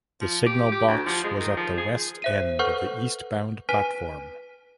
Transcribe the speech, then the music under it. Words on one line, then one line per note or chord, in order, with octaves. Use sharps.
The signal box was at the west end of the eastbound platform.
F3
G4
G4
D2
F3
G#3
D#3
F3
G#4
C5 E5 D#7
A4 B4 F#5 C#6 F6 G6
B4 G#5 F6 B6 D#7